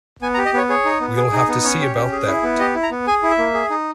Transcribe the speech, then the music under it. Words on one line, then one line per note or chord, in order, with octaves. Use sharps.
We'll have to see about that.
B3 G#5
A#5
G4
D#5
B3 C#5
G#4 C#5
D#4
B3
G#4
D#4
B3
C#4 C#5
G4
C#4
G#4
E4
B3
G4 D#5
E4
A#5
B3
G#4 G#5
E4
E5
A#3
G#4
D#4